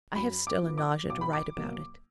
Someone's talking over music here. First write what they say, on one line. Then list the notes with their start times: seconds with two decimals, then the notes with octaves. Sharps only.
I have still a nausea to write about it!
0.15 F#2 B5
0.47 D6
0.63 F3 B3
0.78 D6
1.09 B1 D6
1.21 B5
1.33 D6
1.57 B2 F#3 A#3